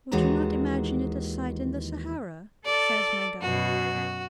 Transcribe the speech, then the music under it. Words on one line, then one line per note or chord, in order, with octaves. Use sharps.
"Would you not imagine it a site in the Sahara?" says my guide.
D#2 D#3 E3 G#3 F#4 A#5
A4 D5
F#2 B2 F#4